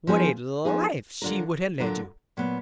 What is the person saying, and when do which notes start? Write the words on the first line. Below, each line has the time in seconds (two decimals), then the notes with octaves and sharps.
What a life she would have led you!'
0.07 F3 B3 D#4 G#4
0.65 F3 B3 D#4 G#4
1.22 D3 F#3 D4 F4 A#4
1.79 D3 F#3 D4 F4 A#4
2.37 A#2 F#3 B3